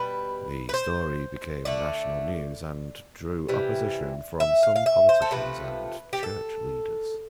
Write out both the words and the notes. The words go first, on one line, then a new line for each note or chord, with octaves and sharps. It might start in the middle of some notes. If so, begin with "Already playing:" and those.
The story became national news and drew opposition from some politicians and church leaders.
Already playing: B2 G3 B4
B4
C5
D3 A3 D5
C3 E3 G3
E5
F5
F5
E5
C5
A4
C3 F3 A3 B4
G4
A4